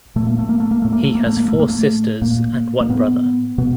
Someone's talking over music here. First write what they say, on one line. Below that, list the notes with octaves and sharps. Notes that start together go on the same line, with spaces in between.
He has four sisters and one brother.
A#2 A3
A#3
A3
A#3
A3
A#3
A2 A3
A#3
A3
A#3
A3
A#3
A2 A3
A#3
A3
A#2 A#3
A#3
A2 B3
B2 B3